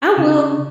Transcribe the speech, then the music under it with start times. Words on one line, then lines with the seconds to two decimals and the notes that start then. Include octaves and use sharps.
I will
0.17 C#3